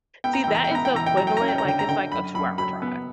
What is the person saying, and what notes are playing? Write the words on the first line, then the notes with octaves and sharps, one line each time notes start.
See, that is the equivalent, like, it's like a two-hour drive
B3 G5
A#5
E3 G5
A#5
G5
B3 A#5
G5
E3 A#5
G5
F#3 A#5
G5
C#4 A#5
G5
A#5
D3 G5
A#5
D3 G5
F#2 B5
F#2 B5
F#3 B5
B3